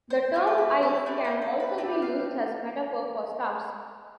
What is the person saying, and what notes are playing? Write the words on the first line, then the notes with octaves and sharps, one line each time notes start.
The term "eyes" can also be used as a metaphor for "stars".
C5
A3 E4 G4
A4
B4
A4
A3 C4 G4 B4
C5
A4
B4
A3 C4 G4 B4
F5